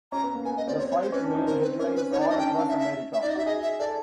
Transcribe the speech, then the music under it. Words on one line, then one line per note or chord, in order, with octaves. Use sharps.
The fight made headlines all across America.
C#4 A#5
B3
A#3
B3 G#5
B3 D#5
C4 D5
C4 C#5
C#5
C5
C#4 B4
D4
D#4
C4 A#4
B4
C#4 A#4
B4
D#4 C#5
D4 D5
D#5
C#4
G5
D4
F5
E5
E5
E5
D#4 D5
D#5
F#4 E5
G#4 D#5
E5
A4 D5